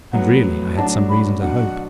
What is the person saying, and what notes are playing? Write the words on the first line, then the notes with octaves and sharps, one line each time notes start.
And really I had some reason to hope.
A2 F#3 B3 F#5
A2 F#3 D4 F#4 A5
B5
B2 F#3 D4 F#5